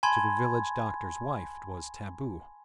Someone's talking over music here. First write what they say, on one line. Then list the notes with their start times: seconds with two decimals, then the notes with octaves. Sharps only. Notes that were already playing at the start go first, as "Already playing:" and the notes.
To the village doctor's wife it was taboo.
0.03 G#5 A5 B5 C6 G#6